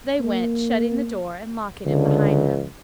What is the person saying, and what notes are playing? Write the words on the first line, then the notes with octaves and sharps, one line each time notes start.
They went, shutting the door, and locking it behind them.
A#3
C#2 D3